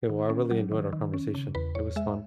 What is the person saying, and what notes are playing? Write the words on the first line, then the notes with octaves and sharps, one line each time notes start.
Yeah, well, I really enjoyed our conversation, it was fun.
D#3
C#4
F#3
D#3
D#3
C#4
C#3
E2 B4
E2 C#5
G#3 E5